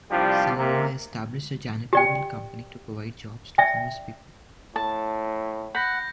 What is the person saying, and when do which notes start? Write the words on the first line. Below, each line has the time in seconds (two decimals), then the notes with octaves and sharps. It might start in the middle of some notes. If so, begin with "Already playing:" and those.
Samoa established a janitorial company to provide jobs to homeless people.
0.10 C2 F3 G3 D4 F4 G4
0.56 C3 A#3
1.93 G4 D5 G5
3.58 D5 E5 G5
4.76 A2 A5
5.75 F#5 B5 G6 A#6